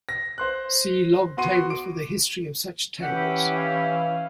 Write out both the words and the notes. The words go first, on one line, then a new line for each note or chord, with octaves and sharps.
See log table for the history of such tables.
A#6
C5 C6 F#6
B3 F#4 C6 D#7
D6 D7
E3 C#4 E4 G4 F#5
F5